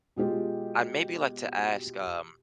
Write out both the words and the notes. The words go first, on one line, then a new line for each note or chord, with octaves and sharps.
I, maybe, like to ask, um
B2 G#3 F4 G4